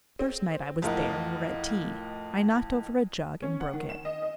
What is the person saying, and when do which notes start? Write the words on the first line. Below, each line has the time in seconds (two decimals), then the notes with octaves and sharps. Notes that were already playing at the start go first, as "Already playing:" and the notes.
The first night I was there we were at tea. I knocked over a jug and broke it.
0.19 C4
0.82 F2 A2 F4 A#4 D#5 F#5
3.42 C#4
3.60 F#5
3.73 D#3
3.90 E7
4.05 D#5
4.22 D#5